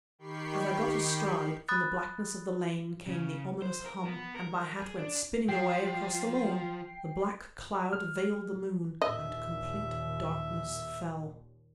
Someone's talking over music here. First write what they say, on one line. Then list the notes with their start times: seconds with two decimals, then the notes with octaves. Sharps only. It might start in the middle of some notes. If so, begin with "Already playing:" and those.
As I got astride, from the blackness of the lane came the ominous hum, and my hat went spinning away across the lawn!--the black cloud veiled the moon and complete darkness fell.
0.19 D#3 G4 G5 B5 C#6 C7
1.68 B5 D#6 F#6 A6
3.07 C#3
3.62 C5
3.86 A#4
4.05 B3
4.34 A#4
4.80 G#4
4.99 D4
5.49 F3 G5 C7
7.93 F6
9.02 D#2 A#2 D#5 E5